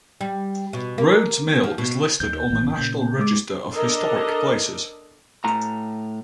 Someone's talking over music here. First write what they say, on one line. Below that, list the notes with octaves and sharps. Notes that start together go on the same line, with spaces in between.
Rhodes Mill is listed on the National Register of Historic Places.
G3
B2
A#3
F3
B2
D#2 D#3 G6
G#1 A2 E3
A#2 C#3 A#3
G#3 D6
D4 A4 A#4 D#5
A2 A#5